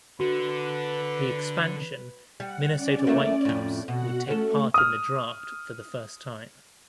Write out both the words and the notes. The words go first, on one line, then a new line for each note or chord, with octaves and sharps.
The expansion Minnesota Whitecaps would take part in the draft for the first time.
D3 F#4 B4
G3 F#5
C#4 D5
E2 A3 A#3
F2 A2
B2 F#4 F#5
A3 C#4 A4
D#6 F6